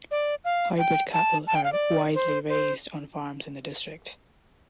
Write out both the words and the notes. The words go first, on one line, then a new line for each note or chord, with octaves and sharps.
Hybrid cattle are widely raised on farms in the district.
D5
F5
G5
A5
A5
G5
F5
D5
C5
C5